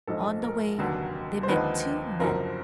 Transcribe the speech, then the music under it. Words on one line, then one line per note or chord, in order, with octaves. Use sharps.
On the way they met two men.
A#1 G#2 F3 G#3 A4
A#4
F1 D#2 D3 F#3
C5
D#2 D3 F3 G#3 B4
F#1 F#2 D3 F3 A#4